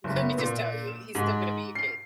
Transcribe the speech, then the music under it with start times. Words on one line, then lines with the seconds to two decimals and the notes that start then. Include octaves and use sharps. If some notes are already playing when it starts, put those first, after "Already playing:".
Let me just tell you, he's still gonna be your kid.
0.04 F#1
0.22 B3
0.38 A#2
0.87 E7
1.15 G#2
1.75 C7